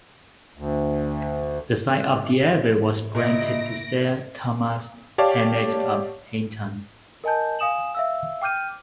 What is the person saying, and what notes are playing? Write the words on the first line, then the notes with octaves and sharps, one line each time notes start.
The site of the abbey was granted to Sir Thomas Heneage of Hainton.
D2
A#2 C#3 E4 D#5 A#6 D7
G4 C#5 D5 F5 A5
A#4 D#5 G#5 A5 G6
F5 G#5 D#6 E7 F#7
E5 F5 E6
G5 D6 F6 G6 D#7